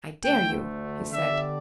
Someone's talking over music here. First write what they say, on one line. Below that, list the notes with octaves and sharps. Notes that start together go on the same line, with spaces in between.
"I dare you!" he said.
D2 D3 A3 G5
D3 B3 D4 G4 D5 E5